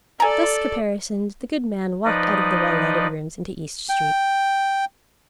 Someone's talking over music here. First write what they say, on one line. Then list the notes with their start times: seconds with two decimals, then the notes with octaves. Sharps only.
Thus caparisoned the good man walked out of the well-lighted rooms into East Street.
0.20 A4 D5 G#5 A#5
2.05 F3 D#4 B4 D5 D#5
3.89 G5